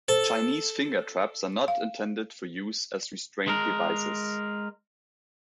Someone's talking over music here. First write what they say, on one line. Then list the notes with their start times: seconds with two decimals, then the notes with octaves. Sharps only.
Chinese finger traps are not intended for use as restraint devices.
0.08 A4 C5
1.68 F5
3.48 G#3 A#4